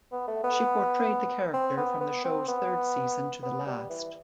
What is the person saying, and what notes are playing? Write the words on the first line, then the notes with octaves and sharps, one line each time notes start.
She portrayed the character from the show's third season to the last.
B3
A3
B3
C4
B3
B3
C4
B3
B3
G3
E3